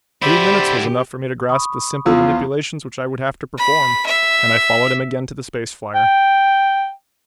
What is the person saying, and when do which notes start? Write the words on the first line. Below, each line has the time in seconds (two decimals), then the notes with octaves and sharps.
A few minutes was enough for me to grasp the simple manipulations which I would have to perform, and I followed him again to the space flier.
0.22 D3 E4 G4 C5 D5 E5 B5
1.49 B5 C#6 D#6
2.06 E2 F3 F4 E6
3.58 B5
4.07 E5
5.95 G5